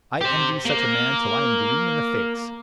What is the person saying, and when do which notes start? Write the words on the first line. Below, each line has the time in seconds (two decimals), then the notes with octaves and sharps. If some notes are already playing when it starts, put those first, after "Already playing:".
I envy such a man till I am green in the face.
0.21 G4 C5
0.65 A#3